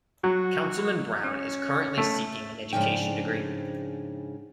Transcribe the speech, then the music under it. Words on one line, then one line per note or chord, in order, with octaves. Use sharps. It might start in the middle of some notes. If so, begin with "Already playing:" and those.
Councilman Brown is currently seeking an education degree.
F#3 F#4
C#4
A3
G#2 C#3 F3 C#4 D4 G5